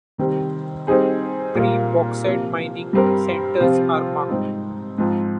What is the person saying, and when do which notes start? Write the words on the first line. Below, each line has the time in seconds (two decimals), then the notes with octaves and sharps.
Three Bauxite mining centres are marked.
0.18 C3 D#3 G3 C4
0.87 G3 C4 D#4 G#4 C5
1.55 A#2 G3 A#3
2.24 C3 F3 A#3
2.93 G2 G3 C4 G4 A#4
3.60 C3 F3 C4 F4
4.29 G#2 G3 C4 D#4
4.98 G#2 F3 C4